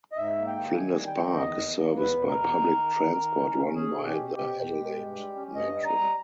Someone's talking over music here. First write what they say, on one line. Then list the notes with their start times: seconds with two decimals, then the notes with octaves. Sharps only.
Flinders Park is serviced by public transport run by the Adelaide Metro.
0.12 D#5
0.17 G#2 E5
0.37 A#3
0.47 G5
0.57 D#3
0.76 D#3 G#5
0.97 G3
1.07 G5
1.17 D#3
1.36 E2 D#5
1.56 E2
1.76 A#3
1.96 E2 B4
2.16 B2
2.27 A#4
2.36 E2
2.56 D#3
2.76 D#3
2.96 D#3
3.16 D#3
3.36 C#4
3.55 C#4
3.75 C#4 G#4
3.96 B2
4.06 G4
4.16 B2
4.36 B2 G4
4.55 B2
4.75 G#3
4.95 G2
5.15 G3
5.35 C#4
5.55 G2 D#5
5.75 G3
5.85 A#5
5.95 G3